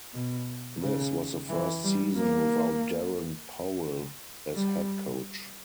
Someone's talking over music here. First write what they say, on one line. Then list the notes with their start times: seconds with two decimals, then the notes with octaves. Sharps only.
This was the first season without Darren Powell as head coach.
0.14 B2
0.82 C#3
1.50 E3
1.83 G3
2.17 A#3
4.54 G3